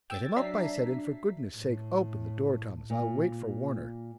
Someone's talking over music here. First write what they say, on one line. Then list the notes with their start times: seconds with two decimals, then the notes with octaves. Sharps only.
"Get him up," I said, "and for goodness' sake open the door, Thomas. I'll wait for Warner."
0.10 G5 E6 G#6 A6
0.36 F#3 D4 E5 A#5 B6 C7
1.56 A2
2.90 A#2